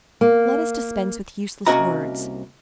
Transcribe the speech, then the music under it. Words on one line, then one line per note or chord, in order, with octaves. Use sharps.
Let us dispense with useless words.
A#3
C2 A#3 C#4 F#4 D#5 A#5